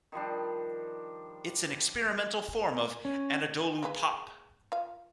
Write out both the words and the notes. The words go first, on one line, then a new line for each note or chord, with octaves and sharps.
It's an experimental form of "Anadolu Pop".
D#3 F3 G3 D4
C#4
G#3 A#3 B4
F4 F5